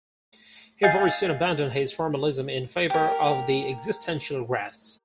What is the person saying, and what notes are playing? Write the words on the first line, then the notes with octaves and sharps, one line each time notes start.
He very soon abandoned this formalism in favor of the existential graphs.
D#5 F5 G#5 G6 A6 C7
G4 A#4